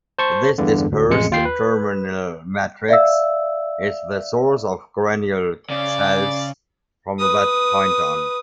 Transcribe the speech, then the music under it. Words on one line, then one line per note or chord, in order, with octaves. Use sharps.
This dispersed germinal matrix is the source of granule cells from that point on.
C5 A5 C#6
E2 G2 D3
D2
A1 F2 G#3 C#7
D#2 F4 G5 C7
B4
D5 E5 F5 E6
C#3 D5
B4 D#6